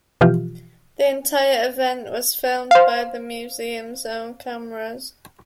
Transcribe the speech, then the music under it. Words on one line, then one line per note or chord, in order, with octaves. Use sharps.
The entire event was filmed by the museum's own cameras.
B2 E3 F3 F4 G4
C5 F5